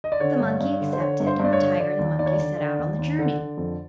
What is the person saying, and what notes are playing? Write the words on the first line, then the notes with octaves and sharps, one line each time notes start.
The monkey accepted, and the tiger and the monkey set out on the journey.
D#5
D5
D3 C#5
G2
G2
D3
C5
D3 C#5
G2
C5
G2 D5
C#5
D3
D3 D5
D#2
D#2 D5
C#5
D5
D3
D3 D5
D#2
D#2
D3
D3
F2